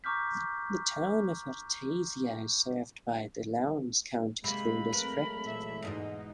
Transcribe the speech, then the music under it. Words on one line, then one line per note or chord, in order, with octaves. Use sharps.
The Town of Artesia is served by the Lowndes County School District.
A#5 C#6 D6 F6 G6 B6
C3 G#3 A#3 B5
F#3 G#3 A3 C4 A#4 B4
A#2 E3 E5
E2 G#2 B2 D#4